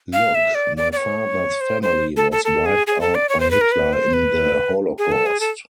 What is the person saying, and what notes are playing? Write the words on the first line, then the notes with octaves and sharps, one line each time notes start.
Look, my father's family was wiped out by Hitler in the Holocaust.
F5
E5
D5
D5
D5
C#5
C5
C5
A4
A4
A4
G#4
G#4
A4
D5
C#5
C5
B4
A#4
B4
C5
B4
G#4
A4
G#4
A4